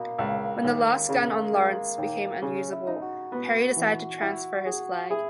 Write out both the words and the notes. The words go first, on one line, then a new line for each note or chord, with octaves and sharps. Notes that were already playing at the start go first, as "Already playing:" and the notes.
When the last gun on "Lawrence" became unusable, Perry decided to transfer his flag.
Already playing: B2 A#3
C#2
D#2
C#3
G#3
D#2
C#3 C#4
E4
D#4
E4
F#4
B3
E3
E4
G#4
E4 G#4